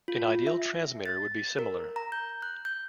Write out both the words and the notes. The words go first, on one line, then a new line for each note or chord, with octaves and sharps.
An ideal transmitter would be similar.
F4
E5
A6
A#4
A#5
G6
F#6
G6